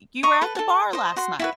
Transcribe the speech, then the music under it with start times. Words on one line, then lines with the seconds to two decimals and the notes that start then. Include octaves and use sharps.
"You were at the bar last night.
0.23 D#5 A#5 C#6
0.41 A4 B4
0.55 A4 A5
0.93 C5 D#5
1.16 F#4 C6
1.39 E4 F#4 B4